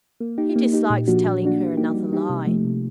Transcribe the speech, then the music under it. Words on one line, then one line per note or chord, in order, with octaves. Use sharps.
He dislikes telling her another lie.
A#3
D#4 G4
A#3
D#4 G4
A#2
F3 A#3 D4 F#4
A#2
F3 A#3 D4 F#4
G3
A#3 D#4 G4
G3
A#3 D#4 G4
C3
F3 A3
C3